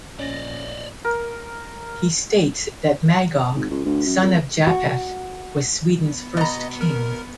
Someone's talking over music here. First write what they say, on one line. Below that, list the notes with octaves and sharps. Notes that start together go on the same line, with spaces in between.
He states that Magog, son of Japheth, was Sweden's first king.
A#1 C#4 D5 D#5 A6 A#6
A#4
G#1
C#2
D2
F#2
F2
F#4
B3
B2 D#5 A#5
A#4